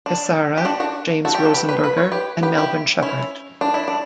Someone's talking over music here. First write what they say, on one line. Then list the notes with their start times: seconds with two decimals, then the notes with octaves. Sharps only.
Cassara, James Rosenberger and Melvin Sheppard.
0.06 D4
0.57 G4
0.65 D4 F#4
0.80 D4 F#4
1.25 F#4 A4
1.35 G4
1.45 A4
1.53 G4 B4
1.69 G4 B4
1.84 B4
1.98 C#5
2.12 G4 B4
2.43 G4 B4
2.58 E4 G4
3.02 C#4 E4
3.61 D4
3.74 E4
3.88 D4